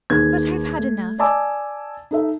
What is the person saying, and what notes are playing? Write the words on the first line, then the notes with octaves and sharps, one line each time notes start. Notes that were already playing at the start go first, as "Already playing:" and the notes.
But I've had enough.
D#2 G#4 B4 G#6
A3
D5 D#5 G#5 A5 D6 E6
D#4 A4 E5